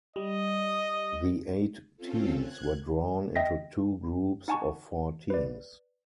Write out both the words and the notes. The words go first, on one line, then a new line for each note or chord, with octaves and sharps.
The eight teams were drawn into two groups of four teams.
G3 D#5
C4 C#4 F4 A4
F#6 G#6
D#5 E5 G5 A#6 B6
D#4 F#5 G#5 A5 C#6
B4 D5